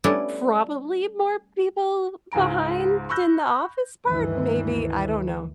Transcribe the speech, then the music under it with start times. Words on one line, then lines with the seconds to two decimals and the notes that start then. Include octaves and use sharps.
Probably more people behind in the office part, maybe, I don't know.
0.04 G3 A3 B3 C#4 D4 E4
2.32 C#2 G#2 G#5 A#5 D7
3.09 B5 C#6 E6 F#6 G6 A#6
4.08 D2 G2 D#3 E3